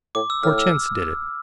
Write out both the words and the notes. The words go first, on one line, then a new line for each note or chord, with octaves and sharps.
"Hortense did it."
A2 D6
E6
A2 F6
E6